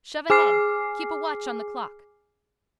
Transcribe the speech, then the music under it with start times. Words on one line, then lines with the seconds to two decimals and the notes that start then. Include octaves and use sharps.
Shove ahead. Keep a watch on the clock.
0.30 G#4 G#5 D6 F6 C7